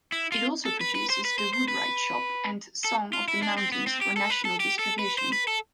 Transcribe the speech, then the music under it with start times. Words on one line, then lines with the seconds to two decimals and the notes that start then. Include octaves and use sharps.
It also produces "The Woodwright's Shop" and "Song of the Mountains" for national distribution.
0.12 E4
0.32 F4
0.65 A4
0.81 B4
0.95 B4
1.10 C5
1.25 B4
1.39 C5
1.53 C5
1.68 B4
2.84 A4
3.13 F4
3.28 E4
3.43 D4
3.58 C4
3.72 B3
3.87 C4
4.02 G4
4.16 A4
4.30 B4
4.45 A4
4.60 G4
4.79 A4
4.99 B4
5.18 C5
5.33 B4
5.48 A4